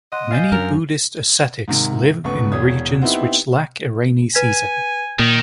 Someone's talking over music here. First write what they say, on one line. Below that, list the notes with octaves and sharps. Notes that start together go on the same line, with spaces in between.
Many Buddhist ascetics live in regions which lack a rainy season.
D#5 F#5 C6 F#6
F5 G#5 F6 G6 A6 C7
F#2 D4 A#4 F7
G#2 C3 D#3
G1 C#2 B3 B4 C#6
E1 E2 C#5 D#6 G#6
B3 C4 D#4 E4 G4
B4 G#5 G#6 B6
A#2 D#3